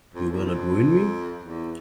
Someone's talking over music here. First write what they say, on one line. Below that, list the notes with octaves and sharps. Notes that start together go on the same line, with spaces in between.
You will not ruin me?
F2
E2
F2
E2